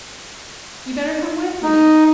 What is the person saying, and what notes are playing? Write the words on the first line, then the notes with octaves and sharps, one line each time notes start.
You'd better come with me.
D#4